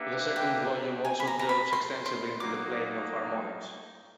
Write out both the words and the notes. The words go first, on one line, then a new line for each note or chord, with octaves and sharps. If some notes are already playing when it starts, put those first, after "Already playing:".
The second volume also delves extensively into the playing of harmonics.
Already playing: A#3 D4 G4 B4 E5 F#5
G5
G#5
B5
A#5
A#5
B5
C6
C6
F#3 A#3 D#4 D6